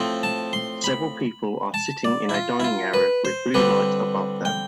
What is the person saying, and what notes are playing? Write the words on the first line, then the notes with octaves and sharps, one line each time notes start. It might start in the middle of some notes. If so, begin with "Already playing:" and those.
Several people are sitting in a dining area with blue lights above them.
Already playing: A2 F3 C4
A5
C6
B5
A5
D5
E4
F4
E4
F4
B4
C5
D3 G3 C4 B4
G5